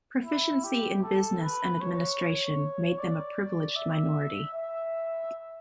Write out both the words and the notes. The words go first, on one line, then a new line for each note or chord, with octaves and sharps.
Proficiency in business and administration made them a privileged minority.
E4
G4
A4
B4
C#5
D5
E5
E5